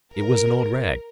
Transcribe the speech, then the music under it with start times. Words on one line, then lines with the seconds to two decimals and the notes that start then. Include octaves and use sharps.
It was an old rag.
0.12 A#4